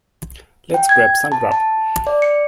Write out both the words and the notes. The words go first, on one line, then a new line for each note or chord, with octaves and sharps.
Let's grab some grub.
G5
G#6
A5
A5
D5
C#7